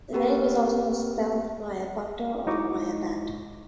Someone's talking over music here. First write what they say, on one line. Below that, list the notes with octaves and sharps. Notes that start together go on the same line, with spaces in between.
The name is also spelled Maya Bunder or Maya Bandar.
A#3 C4 G4 A#4 B4
G#3 D#4 E4 D#5 C#6 D6